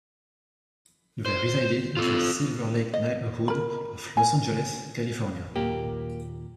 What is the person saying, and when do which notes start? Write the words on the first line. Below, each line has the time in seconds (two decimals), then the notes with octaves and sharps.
They resided in the Silver Lake neighborhood of Los Angeles, California.
1.26 C5
1.97 F4 A4
2.94 D#5
3.48 A#4 B5
4.17 G#5
5.56 D#2 A#2 F#3 A#3 G4